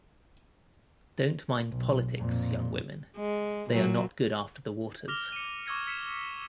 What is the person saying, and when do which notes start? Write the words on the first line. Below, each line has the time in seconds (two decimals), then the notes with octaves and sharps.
Don't mind politics, young women, they are not good after the waters.
1.70 B1
2.18 F2 A#2
3.17 G#3
3.69 A#2 F#3
5.08 D6 F6 A#6 F7 G7
5.32 C#7 D#7
5.66 C#6 D6 E6 G#6 A#6 C#7
5.87 E6 B6 C#7 E7